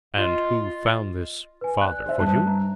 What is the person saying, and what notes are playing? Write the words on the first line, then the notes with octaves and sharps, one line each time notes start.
"And who found this father for you?"
F4 D#5
B4 G#5
D5 F#6
C5 E5
G2 A5 F#6
A#5